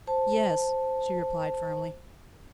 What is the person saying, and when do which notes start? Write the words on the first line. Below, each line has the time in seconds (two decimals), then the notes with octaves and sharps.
"Yes," she replied firmly.
0.07 C5 A5